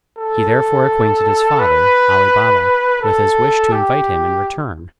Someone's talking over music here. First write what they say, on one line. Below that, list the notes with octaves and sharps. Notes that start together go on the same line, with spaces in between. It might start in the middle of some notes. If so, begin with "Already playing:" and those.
He therefore acquainted his father, Ali Baba, with his wish to invite him in return.
A4
B4
A4
G4